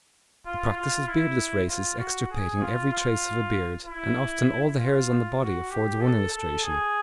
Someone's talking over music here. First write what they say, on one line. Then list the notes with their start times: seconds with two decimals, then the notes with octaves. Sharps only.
The practice of beardless races extirpating every trace of a beard, and often all the hairs on the body affords one illustration.
0.46 F4
0.76 F4
1.07 E4
1.69 F4
1.99 F#4
2.31 G#4
2.61 F4
2.92 F4
3.85 E4
4.78 F4
5.40 F#4
5.70 G4
6.01 A4
6.32 A4
6.63 G#4